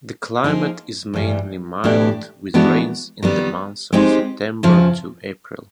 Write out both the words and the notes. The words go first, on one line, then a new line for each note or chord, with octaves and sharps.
The climate is mainly mild with rains in the months of September to April.
F3 A#3 D#4 G#4
G2 E3 G3
A2 E3 A3 D4 G4
E3 G#3 B3 D4 F#4
D#3 G3 B3
G#3 C4 D#4 G4
E2 C#3 F3